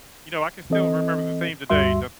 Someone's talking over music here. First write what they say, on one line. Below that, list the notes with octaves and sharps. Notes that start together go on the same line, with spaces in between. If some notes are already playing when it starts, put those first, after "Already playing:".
you know, I can still remember the theme today.
E3 C4 A4 D#5
D2 G2 G3 F#4 E5 C6